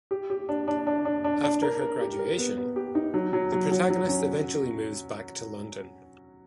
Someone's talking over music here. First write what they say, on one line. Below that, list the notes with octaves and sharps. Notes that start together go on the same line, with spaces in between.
After her graduation the protagonist eventually moves back to London.
G4
G4
D4
D4
D4
D4
D4
D4
A#4
A#4
G4
A#4
B3
B3
G4
D#4
F#3
F#3
F#3
F#3
F#3
C#4